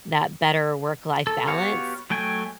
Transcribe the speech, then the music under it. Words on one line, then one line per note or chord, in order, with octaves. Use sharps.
that better work-life balance.
A4
B3 F#4 G4 C#5 F5
F#3 A3 G5 G#5